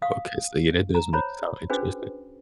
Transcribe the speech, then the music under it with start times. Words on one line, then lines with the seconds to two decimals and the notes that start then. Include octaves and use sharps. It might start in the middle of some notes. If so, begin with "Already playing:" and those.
Okay. So, yeah, that does make it sound interesting.
0.02 F5 D#6
0.95 A#5
1.13 C5 C#5 A#5 B5
1.70 C#4 D4 F#4 G#4 B4 C5